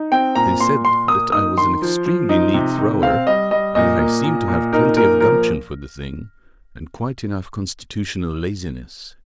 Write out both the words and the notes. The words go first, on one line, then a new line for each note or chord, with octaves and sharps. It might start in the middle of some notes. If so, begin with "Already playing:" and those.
They said that I was an extremely neat thrower, and that I seemed to have plenty of gumption for the thing, and quite enough constitutional laziness.
Already playing: D#4
C4 G5
A#2 A#5
A#2 C6
A#2 C6
A#3 D#6
D#4 D#6
D#3 C6
F3
F3
D#4
C3
D#3
C4 F5
G3 D#5
G3 D#5
A#2 D#5
A#3
A#2
A#2
D#4 A#4
A#2 A#4
F3 A#4